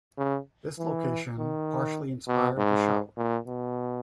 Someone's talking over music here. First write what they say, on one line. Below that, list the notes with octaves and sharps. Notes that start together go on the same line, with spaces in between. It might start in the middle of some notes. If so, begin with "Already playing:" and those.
This location partially inspired the show.
C#3
E3
D#3
B2
G#2
A#2
B2